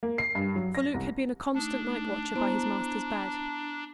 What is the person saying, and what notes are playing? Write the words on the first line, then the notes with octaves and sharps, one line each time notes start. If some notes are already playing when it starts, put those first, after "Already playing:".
For Luke had been a constant night-watcher by his master's bed.
A#3
C7
G2
F#3
A#6
C2
A3 D4 D#4
B3 E4 C5 A#5 C6